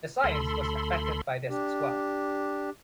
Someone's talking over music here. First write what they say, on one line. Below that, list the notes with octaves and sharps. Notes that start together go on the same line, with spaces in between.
The science was affected by this as well.
D2 A4 B5 C6
D4 G4